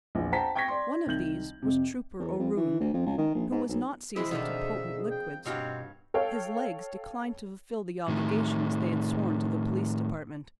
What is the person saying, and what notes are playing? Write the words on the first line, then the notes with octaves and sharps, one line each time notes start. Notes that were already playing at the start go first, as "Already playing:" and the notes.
One of these was Trooper O'Roon, who was not seasoned to potent liquids. His legs declined to fulfil the obligations they had sworn to the police department.
A#1 E2
C5 F#5 G5 A5 A#5 B6
G5 C#6 G#6 A#6 B6
D5 C6
C2 D#3 G6 F#7
F2 C3
E2
F2
E3
D2
F2
C#2
D#3
A#1
G#2
B1
E3 G#3 C4 E4 G#4 E5
B2 D3 D#3 F3 D#4
G5
G2 B2 C4 F#4 G4 C#5 F5
A4 C#5 F5 G5
A2 D#3